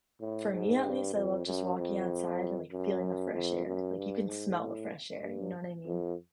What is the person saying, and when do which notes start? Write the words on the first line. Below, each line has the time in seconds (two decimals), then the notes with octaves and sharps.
for me at least, I love just walking outside and, like, feeling the fresh air. Like, you can smell the fresh air, you know what I mean?
0.21 A2
0.52 G#2
0.83 G2
1.15 F2
1.46 F#2
1.77 F2
2.72 F#2
3.34 F2
3.66 F#2
3.97 G2
4.28 G#2
4.60 A2
5.23 G2
5.86 F2